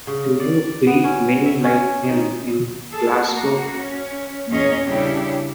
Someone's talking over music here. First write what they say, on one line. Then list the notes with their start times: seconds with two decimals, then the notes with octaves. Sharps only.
Do you breed many like him in Glasgow?
0.07 C#3
0.40 D5
0.87 B3
1.04 C#4
1.46 E5
1.64 C#4
2.09 D#3
2.89 G#4 A4
3.26 A#3 F#4
3.79 C#4
4.50 E2 A#2 C#4 G#4 C#5 D#5
4.85 C#3 G3 C#4 D4 E4 G4